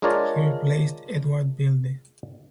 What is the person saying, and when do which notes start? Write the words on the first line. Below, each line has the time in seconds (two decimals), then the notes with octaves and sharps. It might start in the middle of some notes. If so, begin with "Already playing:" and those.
He replaced Eduard Vilde.
0.02 G#3 D4 F4 A#4 C#5 D5